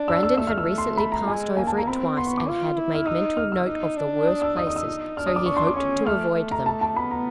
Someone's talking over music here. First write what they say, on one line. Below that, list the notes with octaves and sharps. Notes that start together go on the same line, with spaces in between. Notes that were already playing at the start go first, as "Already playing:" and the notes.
Brandon had recently passed over it twice, and had made mental note of the worst places, so he hoped to avoid them.
Already playing: D4
E6
E6
A3 E6
F6
E6
A3
C6
B5
A#5
G#3 G#5
A#3 G#5
A5
A#5
C4 B5
B3 C6
C#6
D6
F4
E4
F6
D#4 E6
F6
E6
D#4
D4
D#6
E6
D#4 D#6
D#6
E6
D4 F6
D#6
D6
D4 C#6
C6
D6
C#4 C#6
A3 F6
A3
A#5
A5
A5
B3 B5
A#5